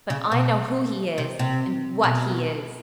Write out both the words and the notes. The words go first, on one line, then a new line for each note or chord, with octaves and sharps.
But I know who he is and what he is.
C#3
B2
C3
C3
B2